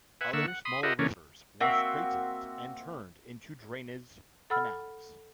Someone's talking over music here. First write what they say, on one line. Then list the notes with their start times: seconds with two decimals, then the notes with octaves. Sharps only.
Other smaller rivers were straightened and turned into drainage canals.
0.21 B4 E5 F#5 G#5
0.33 D3 A#3 E5 F#5 C#6 E6
0.48 F#5
0.65 B5 C6 D#6
0.83 F4 G4 A#4 D#5 E5 F#5
0.99 C#3 E3 A#3 C#4 D4
1.60 A#3 C4 F#4 E5
4.50 A4 F#5 B5 E6 F6